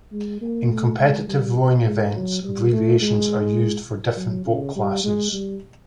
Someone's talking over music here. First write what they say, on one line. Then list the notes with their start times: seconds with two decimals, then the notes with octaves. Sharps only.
In competitive rowing events, abbreviations are used for different boat classes.
0.12 G#3
0.41 A#3
0.71 A3
0.99 G#3
1.28 G3
1.86 G#3
2.15 F#3
2.43 G3
2.72 A3
3.01 G#3
4.17 F#3
4.46 C#3
4.76 G3
5.04 G#3
5.33 G3